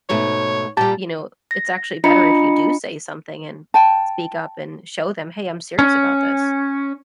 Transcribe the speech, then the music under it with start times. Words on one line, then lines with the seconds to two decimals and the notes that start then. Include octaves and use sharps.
you know, it's actually better if you do say something and speak up and show them, "Hey, I'm serious about this."
0.09 G#2 B2 A3 C#5
0.77 A#2 G3 G4 A5
1.51 A#6
2.04 D4 F4 D#5 A#5 B5 C#7
3.74 G5 A5
5.79 C#4